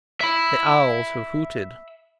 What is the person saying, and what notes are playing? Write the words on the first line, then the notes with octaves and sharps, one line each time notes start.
The owls have hooted.
E5 B5